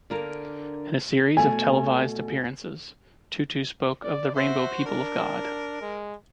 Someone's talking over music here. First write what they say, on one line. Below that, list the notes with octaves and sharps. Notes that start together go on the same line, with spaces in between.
In a series of televised appearances, Tutu spoke of the "Rainbow People of God".
D3 A#3 A#4
B2 A3 G#5
D5
F#4 C5 E5
D4 A#4
G#3